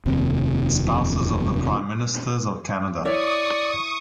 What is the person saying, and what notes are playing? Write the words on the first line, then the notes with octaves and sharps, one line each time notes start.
Spouses of the Prime Ministers of Canada.
F1 D#2 C3
E4 C#5 D5 E5 C#6 D#6